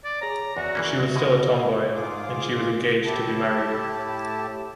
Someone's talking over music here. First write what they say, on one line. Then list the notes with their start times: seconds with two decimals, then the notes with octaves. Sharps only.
She was still a tomboy; and she was engaged to be married.
0.04 D5
0.21 G#4 C#5 A#5
0.57 E2 F#4 D5 E5
0.75 E3 A#3 C#4
0.99 G#3 A#4
1.16 B2 D3 A#3 D#5
1.94 G#2 F4 G#4 D6
3.05 A2 E4 G4 A5